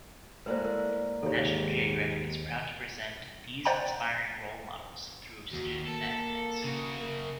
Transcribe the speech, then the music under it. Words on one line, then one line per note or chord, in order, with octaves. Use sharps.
National Geographic is proud to present these inspiring role models through student matinees.
A2 G#3 A#3 B4 C5 D5
A#4
D#2 G#2 A4 C#5
C5 D5 F#5 G5 A#5
D#2 F#4
A#3 A4
C#3 F#4
A#4